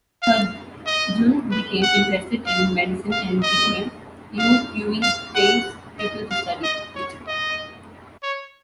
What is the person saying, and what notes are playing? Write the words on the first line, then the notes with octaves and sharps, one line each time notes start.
Hur Jun became interested in medicine and became Yoo Ui-tae's pupil to study it.
F5
D#5
B4
F#5
F5
F5
D#5
F5
F5
F#5
D#5
F5
D#5
C#5
D#5
C#5